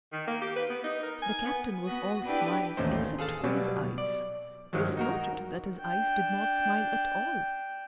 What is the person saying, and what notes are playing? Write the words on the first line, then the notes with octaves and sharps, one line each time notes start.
The Captain was all smiles except for his eyes; Chris noted that his eyes did not smile at all.
D#3
A#3
G4
B4
B3
D#4
A#4
G#5
B3
B3 F#4 D#6
D4 E4 G4 B4
A1 D#2 A3 C#4 D#4 C5
G#4 A4 F5 A5
B2 F#3 G3
D5
G2 D#3 F3 F#3 G#3
D#4 F#4 A#4
D4 G5